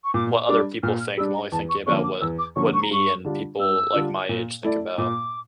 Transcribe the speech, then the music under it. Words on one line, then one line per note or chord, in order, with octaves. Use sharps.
what other people think. I'm only thinking about what what me and people, like, my age think about.
C#6
A#2 D6
G3 D4 D6
A#2 F6
F6
G3 D4 E6
A#5
E2 A5
C#6
D3 F3 A#3 C#4 C#6
D6
E2 E6
D6
D3 F3 A#3 C#4 C#6
C#6
A#5
G2 C#6
D3 G3 D4 F4
G2 E6
D3 G3 D4 F4
A#2
A3 E4 A4 D5
A#2 D6